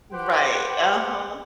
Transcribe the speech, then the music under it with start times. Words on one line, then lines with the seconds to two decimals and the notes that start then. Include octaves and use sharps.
Right, uh-huh.
0.13 G4 B4 C5 F#5 G5